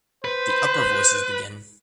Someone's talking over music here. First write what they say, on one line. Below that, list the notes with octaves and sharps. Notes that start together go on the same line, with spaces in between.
The upper voices begin.
B4 C5